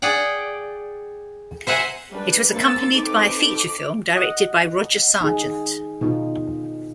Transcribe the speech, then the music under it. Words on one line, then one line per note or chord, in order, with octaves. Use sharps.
It was accompanied by a feature film, directed by Roger Sargent.
G#4 D5 F#5 G5
C5 E5 F#5 G#5 A#5
G3 D4 B4
A#3 C4 E6 A6 C#7
C4 D#4 A4 B4 D6
D#5 F#5
D#4 G#4
B2 D#4 F4